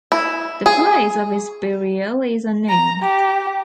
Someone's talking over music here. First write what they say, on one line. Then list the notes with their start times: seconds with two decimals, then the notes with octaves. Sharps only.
The place of his burial is unknown.
0.12 E4
0.66 G#4
2.69 A#5
3.03 G4